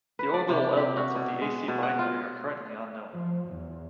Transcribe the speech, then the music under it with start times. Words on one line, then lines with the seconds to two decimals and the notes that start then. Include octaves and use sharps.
The orbital elements of the A-C binary are currently unknown.
0.19 B4
0.34 D5
0.49 C3
0.77 G4
0.96 F#4
1.15 B2
1.41 G#3
1.68 B2
1.83 F#5
1.99 F4
3.13 F3
3.47 E2